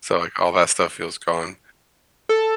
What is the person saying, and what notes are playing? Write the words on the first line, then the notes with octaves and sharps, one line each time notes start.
So, like, all that stuff feels gone.
A4